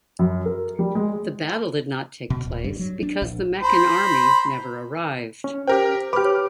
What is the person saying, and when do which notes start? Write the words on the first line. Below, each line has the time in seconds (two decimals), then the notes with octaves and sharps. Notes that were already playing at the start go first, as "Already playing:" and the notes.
The battle did not take place because the Meccan army never arrived.
0.19 F#2
0.46 A#4
0.79 G3
0.95 G#3
2.30 B2
2.45 D1
2.64 G2
2.79 F#3
3.03 D4
3.22 A#1
3.63 C5 A#5 B5
5.44 C#4
5.67 G4 A#4 C5 G5
6.13 G4 B4 B5 D6 F6
6.25 C#5